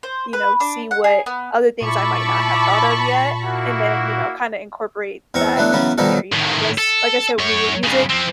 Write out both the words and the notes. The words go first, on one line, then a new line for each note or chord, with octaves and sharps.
you know, see what other things I might not have thought of yet." And then, you know, kinda incorporate that into there, you know, I guess. Like I said, with me with music,
C5
B4
D4
F#5
G#4
B3
A#2 E4 A5 B5 C#6 D6
A#3 E4 F#4
E2 C4 A#5 C#6
E3 F#3 A3 B3 D4
C#3 E3 F#3 B3 C#4
B2 D#3 F3 G3 D#4 A4
A2 D#3
A4
F#2 C#5
G2 C#3
F3 C4